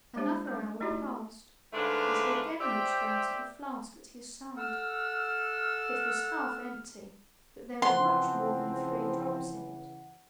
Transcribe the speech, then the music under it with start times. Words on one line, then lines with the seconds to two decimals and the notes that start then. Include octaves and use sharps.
Another hour passed, and he again looked down to the flask at his side; it was half empty, but there was much more than three drops in it.
0.16 G3 G#3 A#3 D4 G4 C5
0.47 G3 C#4
0.80 A3 D#4 E4 F#4 G4 D5
1.73 G#2 D3 A3 D4 B4 F5
2.60 G4 C5 D5 E5 G5
4.57 A4 F#5 E6 F6
7.82 C#3 E3 F3 C4 F#5 C6